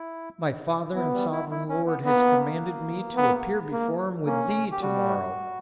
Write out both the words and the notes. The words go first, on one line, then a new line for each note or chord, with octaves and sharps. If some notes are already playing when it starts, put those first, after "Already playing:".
My father and sovereign lord has commanded me to appear before him with thee to-morrow!
Already playing: E4
B3 E4
G3
E4
E4
C#4
B3
A#3 B3
B3
A#3
A#3 C#4
G4
G3 F#4